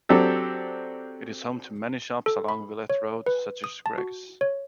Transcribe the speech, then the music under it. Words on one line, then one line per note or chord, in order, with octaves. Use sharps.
It is home to many shops along Villette Road such as Gregg's.
F#3 C4 D4 G4 A4
A4
B5
C#5
B4
D#6
A5
F#4
C#5